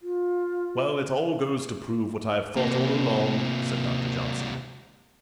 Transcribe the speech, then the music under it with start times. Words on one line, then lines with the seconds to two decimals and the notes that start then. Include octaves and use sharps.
"Well, it all goes to prove what I have thought all along," said Doctor Johnson.
0.01 F4
2.57 C3 A#3